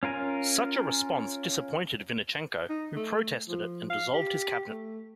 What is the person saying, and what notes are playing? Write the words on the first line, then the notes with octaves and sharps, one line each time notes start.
Such a response disappointed Vynnychenko who protested it and dissolved his cabinet.
C#4 F4 A#4 G#5 A#5
D#4
A3
F3
F5
G4
A3